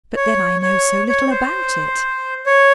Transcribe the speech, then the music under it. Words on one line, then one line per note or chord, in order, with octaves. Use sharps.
But then I know so little about it.
C#5
C#5
C#5
C5
C#5